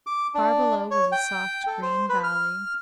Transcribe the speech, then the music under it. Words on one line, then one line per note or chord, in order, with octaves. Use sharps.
Far below was a soft, green valley.
D6
D4
C#5
G5
A4
C5
B4
F6